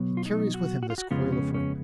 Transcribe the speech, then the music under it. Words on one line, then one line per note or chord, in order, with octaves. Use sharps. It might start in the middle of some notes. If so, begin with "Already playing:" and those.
He carries with him this coil of rope.
Already playing: B2 F#3 B3
F4
D#4
F#4
F#4
F4
F#4
F2 C#3 G#3 B3 F4
C#4
C#4